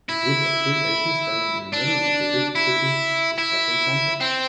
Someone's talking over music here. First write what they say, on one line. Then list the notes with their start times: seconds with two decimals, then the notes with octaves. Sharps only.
A group of three Asians standing in the middle of a big city discussing something.
0.09 E4
1.73 D4
2.55 E4
3.38 E4
4.21 C4